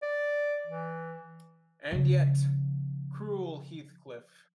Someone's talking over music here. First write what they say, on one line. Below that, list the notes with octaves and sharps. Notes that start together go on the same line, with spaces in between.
And yet, cruel Heathcliff!
D5
E3
C#3 F3